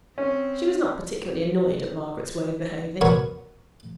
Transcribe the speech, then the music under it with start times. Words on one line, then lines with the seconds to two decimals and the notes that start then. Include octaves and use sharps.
She was not particularly annoyed at Margaret's way of behaving.
0.18 C4 C#4
3.01 B3 F#4 A#4 C#5